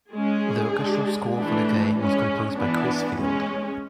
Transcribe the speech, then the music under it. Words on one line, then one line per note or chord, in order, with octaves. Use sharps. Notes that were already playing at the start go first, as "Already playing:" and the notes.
The orchestral score for the game was composed by Chris Field.
G#3 C#4 G#4
G#3 D4
E3 A3 D4
G#3 C#4
E3 B3 D4
G#3 C#4